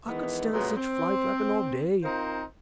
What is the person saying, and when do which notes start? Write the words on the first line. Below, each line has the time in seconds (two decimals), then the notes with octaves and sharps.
I could stan' such fly-flappin' all day.
0.07 D#3 E3 G#3 B3
0.53 A#2 C#3 F#3 G#3 A3 B3
0.76 C4
2.03 C4 D#4 F4 A#4 C5